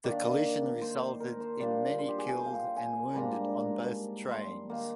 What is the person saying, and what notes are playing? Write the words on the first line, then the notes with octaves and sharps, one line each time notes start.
The collision resulted in many killed and wounded on both trains.
D#3 A#3 D4 D5
C5
A#4
C5
A#2 G3 A#3 D4 D5
C5
G4
G#4
G#5
G5
F5
G5
G#5
G#2 G3 A#3 D4 A#5
C6
D#3 A#3